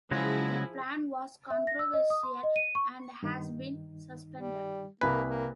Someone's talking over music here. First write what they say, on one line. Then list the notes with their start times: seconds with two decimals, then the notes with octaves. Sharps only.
The plan was controversial, and has been suspended.
0.11 C#3 F3 F#3 G#3 E4 G#4
1.50 E5
1.67 A#6
1.79 E6
1.94 D#5
2.10 D#6
2.23 C6
2.44 D#5
2.56 D#7
2.75 C#6
3.23 G2 D#3 D#4
4.36 G3
5.01 C2 A#3 B4 G#5 B5
5.29 A#3